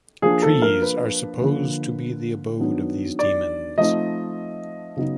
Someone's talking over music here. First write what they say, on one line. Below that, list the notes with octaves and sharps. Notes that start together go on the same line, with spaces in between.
Trees are supposed to be the abode of these demons.
F3 A#3 D4 G#4
A4
A#4
B4
D3 F3 A#3
D#3 F#3 B3 D4
D5
F3 A3 C4 D#4 D#5
C#3 F#3 B3 D#4